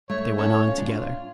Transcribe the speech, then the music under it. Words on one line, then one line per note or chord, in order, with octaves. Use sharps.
They went on together.
A3 C#5
C#4 A4 C#5
F4
D4
F4